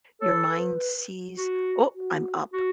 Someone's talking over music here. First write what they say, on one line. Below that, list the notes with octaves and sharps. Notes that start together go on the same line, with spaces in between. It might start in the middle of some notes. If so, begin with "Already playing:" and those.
your mind sees, "Oh, I'm up."
A4 C#5
B4
F#4
F#4
F#4